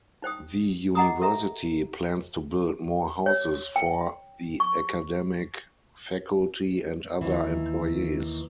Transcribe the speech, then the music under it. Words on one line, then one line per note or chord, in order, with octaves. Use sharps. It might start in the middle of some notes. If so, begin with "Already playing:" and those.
The University plans to build more houses for the academic faculty and other employees.
D#4 C5 G5 D#6
D#5 F#5 G#5 A#5 D6 D#6
A4 E5 A#5
C#5
G5
C#6
D#2 E3